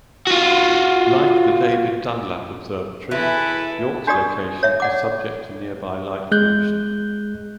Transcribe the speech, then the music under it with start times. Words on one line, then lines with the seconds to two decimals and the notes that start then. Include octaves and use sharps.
Like the David Dunlap Observatory, York's location is subject to nearby light pollution.
0.27 F4 F#4
3.11 E2 E3 E4 A4 B4
4.07 D4 F#4 G4 D5 D#6
4.63 C#5 E5
4.80 D5 F#5 D6
6.32 G#3 F#6 G6